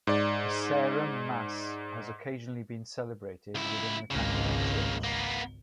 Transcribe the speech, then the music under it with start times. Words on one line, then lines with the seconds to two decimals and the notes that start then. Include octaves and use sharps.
The Sarum Mass has occasionally been celebrated within the Catholic Church.
0.07 G#2 D5
3.55 C#2 E4
4.11 G#1 C#2 C#3 A#3
5.04 A#3 B3